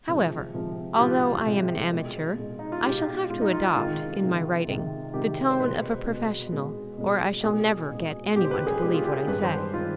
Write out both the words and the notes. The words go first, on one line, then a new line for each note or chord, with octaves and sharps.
However, although I am an amateur, I shall have to adopt, in my writing, the tone of a professional, or I shall never get any one to believe what I say.
C3 F3 G#3
C3 F3 G#3
G4
C3 F3 G#3 F4
C3 F3 G#3
B2 G#3
B2 G#3
D#4
F4
B2 G#3 G4
B2 G#3 F4
D#4
F4
D#4
C3 D#3 G#3 F4
C3 D#3 G#3
C3 D#3 G#3
C3 D#3 G#3 G4
C5
B2 G#3 B4
B2 G#3
B2 G#3
B2 G#3
B2 G#3 G#4
B2 G#3
B2 G#3 G4
C5
B4
G#4
B2 G#3 G4
F4
G4
G#4
G2 D#3 G#3 B4
C5
D#3 G#3 F4